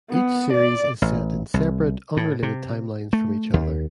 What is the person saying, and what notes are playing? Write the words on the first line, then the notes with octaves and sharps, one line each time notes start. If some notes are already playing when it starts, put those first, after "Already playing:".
Each series is set in separate, unrelated timelines from each other.
B3
D5
A1
C2
A2
C3
A3
D#2